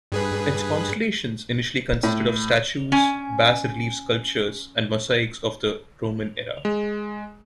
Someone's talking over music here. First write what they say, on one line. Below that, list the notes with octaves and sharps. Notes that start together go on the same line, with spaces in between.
Its collections initially consisted of statues, bas-relief sculptures and mosaics of the Roman era.
G2 G#4 B4
A2
C#4 G#5
G#3